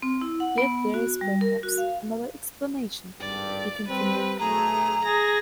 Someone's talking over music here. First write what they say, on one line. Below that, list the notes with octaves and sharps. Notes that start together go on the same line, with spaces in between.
"Yet there is perhaps, another explanation," he continued.
C4
E4
F#5
B3
F#4
G3
A#4
F#4
F5
G#1 G2 D5
G3 C4 B4
B1 F#3 A3 G#4 A#5
G#4 A#6